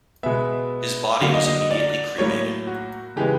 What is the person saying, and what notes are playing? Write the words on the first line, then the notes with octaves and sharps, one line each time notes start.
His body was immediately cremated.
B2 G#3 B3 E5
D3 F#3 A#3 F5
D#5
D#5
D5
A2 F#3 A#3 C#5
F#4
C#3 E3 G#3 B3 G4